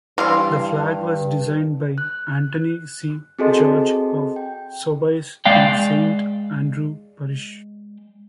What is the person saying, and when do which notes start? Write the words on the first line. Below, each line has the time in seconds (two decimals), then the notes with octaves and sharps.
The flag was designed by Anthony C. George of Soubise in Saint Andrew Parish.
0.18 G2 E3 G3 F5 C6
1.98 F#6
3.39 C4 F#4 G#4 A4 D#5 C6
4.36 G5
5.45 G#3 D5 F5 G5